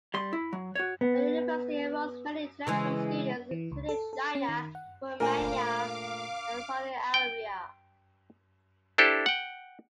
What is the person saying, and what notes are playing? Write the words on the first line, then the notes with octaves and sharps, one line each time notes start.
The university enrolls many international students, including China, Romania, and Saudi Arabia.
G3 C6
E4
F#3
F#4 C#5
B3
C#3 E3 G#3
E3
C#2
A4
A4
C#4
D#3
F#5
A#2 A3 D4 A#4 C5 F5 G#5 D6
G5
D4 E4 G4 A4 C5
F#5 G5